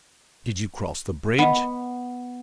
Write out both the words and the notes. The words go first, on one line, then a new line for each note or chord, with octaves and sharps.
"Did you cross the bridge?"
B3 D#5 F#5